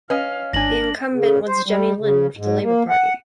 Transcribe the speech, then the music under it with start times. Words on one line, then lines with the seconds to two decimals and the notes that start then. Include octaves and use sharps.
The incumbent was Jenny Lynn for the Labour Party.
0.10 C#4 B4 D#5 F5
0.53 G#1 D4 G#5 A#6 F#7
1.14 C#3
1.47 C5
1.66 G3
2.00 C#3
2.37 G#2
2.63 A#3
2.90 F#5